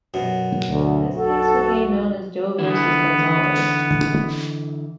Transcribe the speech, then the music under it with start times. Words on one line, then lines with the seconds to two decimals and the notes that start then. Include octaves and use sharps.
This case became known as Doe versus Gonzales.
0.14 F#2 B2
0.68 D2
1.16 B1 F#4 A4
2.59 D3 E3 B3 E4